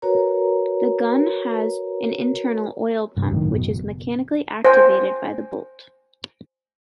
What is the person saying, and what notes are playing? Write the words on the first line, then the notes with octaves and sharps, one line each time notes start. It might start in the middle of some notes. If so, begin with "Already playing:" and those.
The gun has an internal oil pump which is mechanically activated by the bolt.
F#4 A#4 B4 C#5 A#5
G2 C3
C#2 F#2 A2 D#3
F#1 B2
C5 G#5